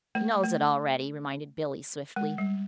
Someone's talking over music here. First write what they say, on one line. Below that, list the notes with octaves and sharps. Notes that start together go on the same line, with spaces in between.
"He knows it already!" reminded Billie swiftly.
A3
A3
G#3
G3